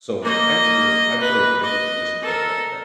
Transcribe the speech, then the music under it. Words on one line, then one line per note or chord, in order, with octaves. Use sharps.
so, in high school, I played every position but running back.
A#3 D#5
B4
D#5
A4 A#4